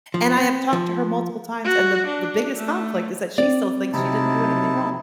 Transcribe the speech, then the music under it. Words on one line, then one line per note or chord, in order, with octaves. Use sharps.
and I have talked to her multiple times, and the the biggest conflict is that she still thinks she didn't do anything wrong.
F3
C4
F3
F#4
D4
A3
C4 D5
C3 F#3 D#4 E4 A5